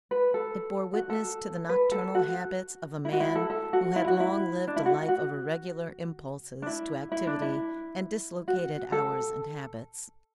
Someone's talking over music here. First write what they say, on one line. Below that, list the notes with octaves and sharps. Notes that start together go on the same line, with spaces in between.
It bore witness to the nocturnal habits of a man who had long lived a life of irregular impulses to activity and dislocated hours and habits.
B4
A4
F#4
A4
B4
A4
F#4
E4
F#4
E4
A4
A4
F#4
E4
F#4
E4
D4
E4
F#4
F#4
D4
E4
E4
D4
E4
F#4
A4